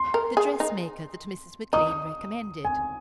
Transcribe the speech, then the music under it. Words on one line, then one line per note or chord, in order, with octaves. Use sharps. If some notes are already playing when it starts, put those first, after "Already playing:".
"The dress-maker that Mrs. McClean recommended?"
Already playing: C6
A#4
G#4
D#4
D#4 D#6
G#5